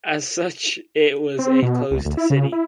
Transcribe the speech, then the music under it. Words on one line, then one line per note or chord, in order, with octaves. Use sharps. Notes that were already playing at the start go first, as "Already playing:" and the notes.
As such it was a closed city.
C4
B2
C#2
D2
E4
C#3
E4